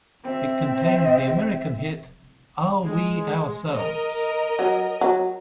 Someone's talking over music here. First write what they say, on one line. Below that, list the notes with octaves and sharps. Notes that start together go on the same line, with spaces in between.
It contains the American hit Are We Ourselves?
C4 E5
G#3
A#4 D#5
F#3
F#3